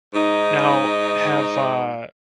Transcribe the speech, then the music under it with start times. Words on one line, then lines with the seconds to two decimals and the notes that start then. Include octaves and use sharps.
Now, have, uh
0.14 G#2 D#4